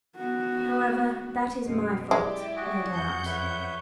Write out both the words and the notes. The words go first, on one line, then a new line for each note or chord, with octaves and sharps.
"However, that is my fault, no doubt."
B3 F#4
F#2 B2 G#3
G#3 E4 G4 D5
F#4 G#4
F2 F#5 G6
B4 C#5 E5